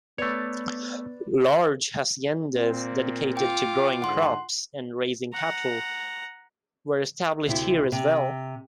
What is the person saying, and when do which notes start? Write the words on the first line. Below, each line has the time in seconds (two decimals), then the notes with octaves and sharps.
Large haciendas dedicated to growing crops and raising cattle were established here as well.
0.18 A3 B3 B4 C#5 D5
2.54 A#2 C4
3.37 F4 G5 D6
4.02 G#2 D3 F#5 C6
5.33 F#5 A#5
7.46 D2 C3 E4
7.92 C3